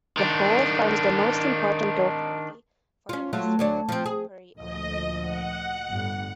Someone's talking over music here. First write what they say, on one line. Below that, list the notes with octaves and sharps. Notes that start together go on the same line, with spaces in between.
The whole forms the most important authority for the history of contemporary oratory.
D#3 D4
C#4 F4
F#3 A3 F4
D2 F#3 D4
F3 C4
G#4
D2 A#2 F3 D#5
F#5
G1 A2 G3